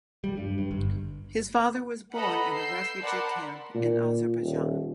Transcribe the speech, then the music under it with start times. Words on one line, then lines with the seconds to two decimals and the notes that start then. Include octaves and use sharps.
His father was born in a refugee camp in Azerbaijan.
0.24 G3
0.37 G2
0.58 G2
0.71 G1
2.14 A4 B4 D#5 F#5 A#5 B5
2.54 E6 G6 C7
3.03 A#4 D5 F#5 A5 B5 C6
3.75 A#2
4.40 D#1